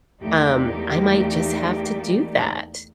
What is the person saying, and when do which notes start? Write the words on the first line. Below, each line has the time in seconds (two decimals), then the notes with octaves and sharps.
um, I might just have to do that.
0.23 E2 A3 A#3 D#4 G4 D5